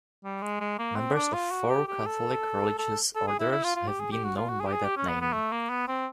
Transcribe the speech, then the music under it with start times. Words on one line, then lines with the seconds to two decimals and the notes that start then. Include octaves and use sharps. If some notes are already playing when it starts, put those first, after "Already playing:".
Members of four Catholic religious orders have been known by that name.
0.24 G3
0.42 G#3
0.60 G#3
0.79 A#3
0.96 C4
1.15 D4
1.33 F4
1.51 F#4
1.69 G4
1.88 G4
2.06 A4
2.78 A4
3.15 A4
3.27 G#4
3.39 E4
3.51 E4
3.64 F4
3.75 F4
3.88 G4
4.00 G#4
4.12 G4
4.24 F#4
4.37 F4
4.49 F#4
4.60 G#4
4.66 G4
4.73 G#4
4.85 G4
4.97 C#4
5.08 B3
5.21 B3
5.33 A3
5.52 A#3
5.69 B3
5.88 C4